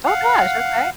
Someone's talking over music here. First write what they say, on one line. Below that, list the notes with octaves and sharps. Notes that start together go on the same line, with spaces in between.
Oh gosh! Okay.
F5 F#5